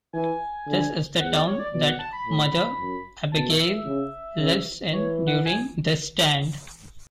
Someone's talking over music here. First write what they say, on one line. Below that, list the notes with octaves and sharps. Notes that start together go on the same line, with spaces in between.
This is the town that Mother Abagail lives in during "The Stand".
E3 G#5
D3
E2 F#5
D5
C#5
D5
B2 D5
F#5
A5
B5
A2
F#2
B2 A5
E5
E5
C#3
C#3
E3 C#5
F#5
G#5